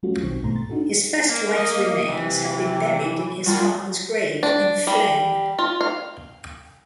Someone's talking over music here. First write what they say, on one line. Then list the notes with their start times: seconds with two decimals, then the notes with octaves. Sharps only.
His first wife's remains have been buried in his father's grave in Flen.
0.03 F#3 G3 A3 C#4 F4 F#4
0.23 B1 D#3 C4 C#6
0.42 C2 G#2 B2 A3 A#5 C6
0.56 A6
0.70 D4 D#4 F#4 A4
1.29 A#3
1.57 D#5
2.09 C3 E3
3.46 G3 A#3 D4 F4 F#4
4.43 D4
4.87 G3
5.59 F4
5.81 F5